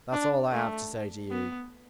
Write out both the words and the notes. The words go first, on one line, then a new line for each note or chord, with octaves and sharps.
That's all I have to say to you.
D4
A3
B3